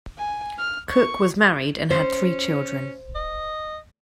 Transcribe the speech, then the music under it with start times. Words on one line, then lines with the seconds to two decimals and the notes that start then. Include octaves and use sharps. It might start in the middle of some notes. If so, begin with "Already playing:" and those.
Cook was married and had three children.
0.18 G#5
0.58 F6
0.90 C#6
1.91 C#4 C5
3.15 D#5